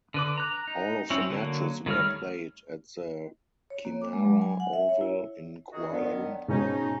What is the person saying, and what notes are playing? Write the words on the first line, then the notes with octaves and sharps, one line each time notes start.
All of the matches were played at the Kinrara Oval in Kuala Lumpur.
D3 B4 D6
A#5 F#6
D#4
F#3 C4 C#4 E4
D3 F#3 A#3
D#3 G3 A3 C#5 F6
C#5
A#3
D6
G#3
F#3
G#5
F#5
E5
C#5
E4
D#3 F#4 G#4
D#3 F#3 B3 D4
G#2 B2 C#4 D#4